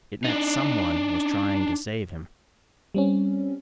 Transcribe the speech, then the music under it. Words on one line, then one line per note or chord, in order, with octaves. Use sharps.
It meant someone was trying to save him.
D4 D#4
G3 C4 C#4